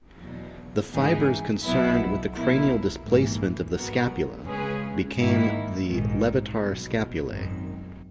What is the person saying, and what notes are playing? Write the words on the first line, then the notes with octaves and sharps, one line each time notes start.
The fibers concerned with the cranial displacement of the scapula became the levator scapulae.
E2 B2 F#3
G#2 E3 B3 D#4 G#4
B1 B2 F#3 B3 E4
B1 B2 F#3 A#3 E4
A#1 G#2 E3 A#3
G#2 F#3 B3 F#4 A#4
C#3 G#3 C#4 G#4 B4
G#2 D#3 A#3 E4
A#1 G#2 D#3
B1 B2 F#3
G#1 F#2 D#3